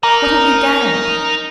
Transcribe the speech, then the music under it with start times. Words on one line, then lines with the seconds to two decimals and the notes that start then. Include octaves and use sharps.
What have you gained?
0.03 D#4 A#4 A#5